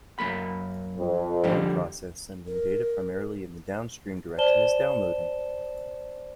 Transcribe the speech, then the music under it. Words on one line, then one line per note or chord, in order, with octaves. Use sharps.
One process sending data primarily in the downstream direction is downloading.
F#2 A#3 B5
F2
D3 F3 G3
A#4
C5 D5 A5 E7 G7